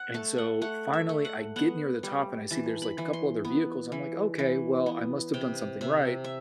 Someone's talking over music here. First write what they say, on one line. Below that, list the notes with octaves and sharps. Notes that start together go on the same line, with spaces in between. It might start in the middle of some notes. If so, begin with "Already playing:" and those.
And, so, finally I get near the top and I see there's, like, a couple other vehicles. I'm like, "Okay, well, I must have done something right."
Already playing: F#5
A3 A5
F#5
A3 F#5
E5
A3
F#5
B3 F#5
G3
E3 A5
B5
E3
C6
B3
E3
E3
B3
C3 G5
C3 E5
E5